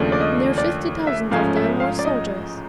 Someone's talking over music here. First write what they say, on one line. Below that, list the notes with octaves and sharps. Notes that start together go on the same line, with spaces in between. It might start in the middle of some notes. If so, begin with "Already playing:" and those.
Near fifty thousand of them were soldiers.
Already playing: D#2 C#3 F3 A3 D4
D5
D#5
D5
E5
A1 G#2 F3 A3 C#4 F5
E5
F5
D5
D#5